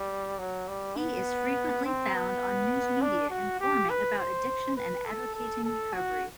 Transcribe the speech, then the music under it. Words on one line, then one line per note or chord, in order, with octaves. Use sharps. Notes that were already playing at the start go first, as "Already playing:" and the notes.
He is frequently found on news media informing about addiction and advocating recovery.
Already playing: G3
F#3
G3
B3
C4
B3
D4
F#4
G4
B4
C5
B4
A4
A4
A4
F#4